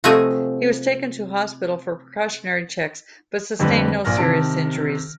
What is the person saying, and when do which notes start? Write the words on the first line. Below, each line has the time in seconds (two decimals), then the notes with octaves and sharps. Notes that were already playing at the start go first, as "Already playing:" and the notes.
He was taken to hospital for precautionary checks, but sustained no serious injuries.
0.04 C3 F3 A3 F#4 D#5 G#5
3.59 F2 D3 G3 A3 B4
4.05 A#1 A#2 G#5 F6 A#6
4.17 C3 D#3 A5 D7